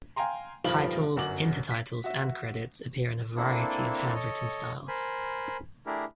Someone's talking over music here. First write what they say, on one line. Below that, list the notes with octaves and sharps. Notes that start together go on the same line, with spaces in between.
Titles, intertitles and credits appear in a variety of handwritten styles.
F5 G5 G#5 A#5 C6
F1 G2 D#3 F3 F5 F#7
G1 F#2 F#4 D6 F#7
B6
F#4 E5
A#3 C4 D4 E4 A4
A4 C#5 D#5
A#4 C5 G#5 B5
A3 D4 E4 G4 G#4 A#4